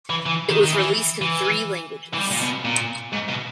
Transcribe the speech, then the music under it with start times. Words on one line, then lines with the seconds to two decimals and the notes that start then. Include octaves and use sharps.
It was released in three languages.
0.10 E3
0.26 E3
0.50 D#3
0.64 D#3
0.74 E3
1.22 E3
2.13 E3
2.17 G3
2.31 A#2
2.42 B2
2.65 A#2
3.12 G#2
3.28 B2